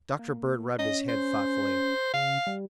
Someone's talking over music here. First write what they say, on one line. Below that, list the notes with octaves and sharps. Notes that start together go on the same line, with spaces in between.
Dr. Bird rubbed his head thoughtfully.
A#3
C#4 D#5
C5
C#3 F5
G3